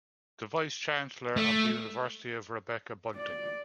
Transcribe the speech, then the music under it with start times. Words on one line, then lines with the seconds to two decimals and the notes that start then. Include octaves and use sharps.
The Vice-Chancellor of the University is Rebecca Bunting.
1.37 A3
3.15 D5